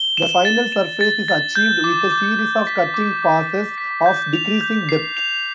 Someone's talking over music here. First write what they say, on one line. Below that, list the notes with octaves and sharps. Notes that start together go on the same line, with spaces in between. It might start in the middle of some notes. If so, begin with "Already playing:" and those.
The final surface is achieved with a series of cutting passes of decreasing depth.
Already playing: G7
E7
A6
E7
A6
A6
G6
D6
D6
D6
B6
D6
D6
G6
B6
G6
F7
G6
C7
F7